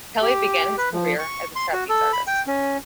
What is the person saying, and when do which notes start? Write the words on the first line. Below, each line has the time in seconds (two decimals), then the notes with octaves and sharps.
Kelly began his career as a trapeze artist.
0.22 G4
0.78 B4
0.93 F3
1.19 C#6
1.56 C6
1.73 F#4
1.89 A4
2.13 B5
2.27 G5
2.47 C#4